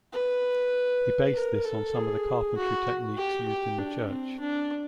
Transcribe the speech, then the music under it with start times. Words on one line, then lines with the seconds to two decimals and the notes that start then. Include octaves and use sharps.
He based this on some of the carpentry techniques used in the church.
0.13 B4
1.34 A#4
1.65 A4
1.96 G#4
2.57 F#4
3.17 G4
3.48 G4
3.79 D4
4.09 C4
4.40 D4